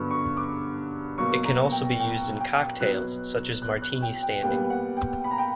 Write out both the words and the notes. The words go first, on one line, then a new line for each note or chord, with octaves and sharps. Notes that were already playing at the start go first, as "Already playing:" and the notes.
It can also be used in cocktails such as "martini standing".
Already playing: G2 D3 F#3 B3 C#6
C#6
D6
B2 F#3 A#3 C#6
A#5
G5
G5
G5
B2 F#3 B3 F#6
F#6
F#6
G5
G5
A#2 G3 B3 G5
F#5
G5
B5
A#5
G5